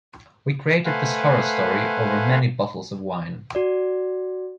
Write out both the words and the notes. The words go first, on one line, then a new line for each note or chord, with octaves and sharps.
We created this horror story over many bottles of wine.
A3 B4 C5 F5 F#5 G#5
F#4 D5